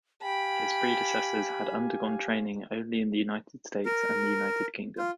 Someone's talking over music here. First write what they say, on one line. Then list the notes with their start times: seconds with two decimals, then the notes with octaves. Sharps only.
His predecessors had undergone training only in the United States and the United Kingdom.
0.22 G4 F5 G5 G#5 B5
3.86 A#4
4.98 F4